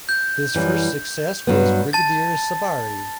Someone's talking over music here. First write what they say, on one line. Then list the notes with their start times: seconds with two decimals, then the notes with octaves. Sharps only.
His first success was "Brigadier Sabari".
0.09 G6
0.55 F#2 E3 G3
1.47 G2 F#3 B3
1.93 A5 A6